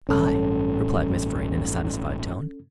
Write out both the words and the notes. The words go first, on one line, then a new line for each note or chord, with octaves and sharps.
"I!" replied Miss Vrain in a satisfied tone.
A1 G2 C#4 A4